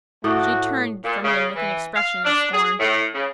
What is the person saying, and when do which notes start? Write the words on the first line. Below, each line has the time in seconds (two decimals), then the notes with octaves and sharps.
She turned from him with an expression of scorn.
0.24 A2 A3 F#4 D5 D#5
1.05 A#2
1.24 C#3
1.56 E3
1.96 F5
2.25 D4
2.53 G#4
2.80 A2
3.14 C#3